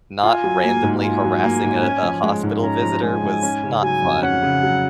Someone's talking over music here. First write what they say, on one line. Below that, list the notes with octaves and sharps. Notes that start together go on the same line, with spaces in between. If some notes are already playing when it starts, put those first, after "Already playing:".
not randomly harassing a a hospital visitor, was not fun.
F4 G#5
F#3
A#3
G#2
F4 G#5
F#3
A#3
G#2
C#4
F3
G#3
G#2
C#4 A#5
F3
G#3 G#5
G#2
C#4
C#3
F#3 G#5
F2
C#4 F#5
C#3
F#3